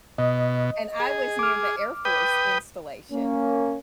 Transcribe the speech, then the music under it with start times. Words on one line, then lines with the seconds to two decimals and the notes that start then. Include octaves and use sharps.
And I was near the Air Force installation.
0.18 B2 D#5
1.00 G#4
1.39 D6 F6
2.05 B4 G5 D#6
3.12 A#3 C#4